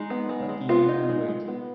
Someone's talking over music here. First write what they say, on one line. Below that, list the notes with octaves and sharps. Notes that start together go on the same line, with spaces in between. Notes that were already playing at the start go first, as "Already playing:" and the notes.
Let the young man wait.
Already playing: G#3 D#4
B3
G#3
G#3
B3 F4
D#4
G#3
G#3
B3